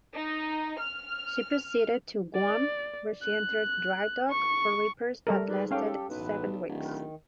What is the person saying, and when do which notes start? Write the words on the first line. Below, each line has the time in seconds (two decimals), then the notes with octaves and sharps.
She proceeded to Guam, where she entered drydock for repairs that lasted seven weeks.
0.15 D#4
0.80 F6
2.35 D5
3.22 F#6
4.29 C#6
5.27 G3 A3 A4 A#4
5.48 G#2 G#4 B4 D5
5.71 C#4 G4 A4 F5 G5
6.09 B1 E2 A2 B4
6.69 D1 D#3